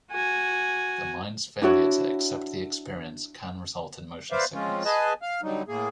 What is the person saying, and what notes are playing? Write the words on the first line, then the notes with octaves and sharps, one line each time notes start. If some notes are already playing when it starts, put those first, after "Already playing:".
The mind's failure to accept the experience can result in motion sickness.
F#4 G#5
D4 E4 F#4 C#5
B4 C5 D5 E5 F5
F3 G#3 C4 C#4 F4
G#4 B4 D#5 G#5 A5
F5 F6
D3 F#3 G3 D#4
A2 A#3 G#4